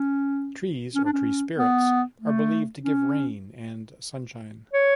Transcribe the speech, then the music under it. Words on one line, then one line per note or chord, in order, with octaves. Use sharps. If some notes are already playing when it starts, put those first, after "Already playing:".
Trees or tree-spirits are believed to give rain and sunshine.
Already playing: C#4
C#4
D4
C#4
B3
A3
C#4
C#5